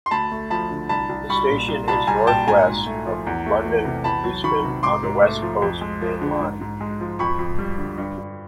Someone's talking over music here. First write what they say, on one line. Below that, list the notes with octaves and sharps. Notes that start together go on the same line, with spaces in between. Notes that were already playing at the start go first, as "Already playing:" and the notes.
The station is north west of London Euston on the West Coast Main Line.
C6
D2 A5 B5
A3
F3 A5 B5
D3
C2 A5 B5
C2
G3 B5 C#6
A#2
C2
C2 A5 B5
G3 G#5 A#5
A#2 G5 A5
G#2 G#5 A#5
G#2
A3
F3
E2
A3
E3
C3
E2 A5 B5
F#3
D#3 B5 C#6
C3
G#2 C6 D6
G#2
A3
F3
F2
G#3
F3
D3
G#2
G#2
G#3
F3
F2 B5 C#6
F2
G3
D3
G2
G2